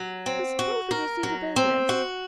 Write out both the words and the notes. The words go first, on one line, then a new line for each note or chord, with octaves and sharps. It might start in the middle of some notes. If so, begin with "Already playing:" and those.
But suppose we proceed to business.
Already playing: F#3
C4
F#4
A#4
F#3
C4
F#4